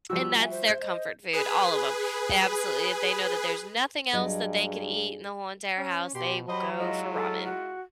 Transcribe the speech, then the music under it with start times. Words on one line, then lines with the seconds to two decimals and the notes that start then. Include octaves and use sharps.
And, that's their comfort food, all of 'em. They absolutely if they know that there's nothing else that they could eat in the whole entire house, they will go for ramen.
0.10 F3 G3 F#4 E6
0.38 E5 G#5
0.51 C5
0.68 G6
0.81 D#5
1.33 G#4 B4
4.13 G2 F#3 G#4 D#5
5.76 C#4
6.14 B2 G4 C6
6.48 F#3 G4 C5 D#5 B5
6.78 G#3 E4 F4 D#5
7.12 A4
7.44 F#4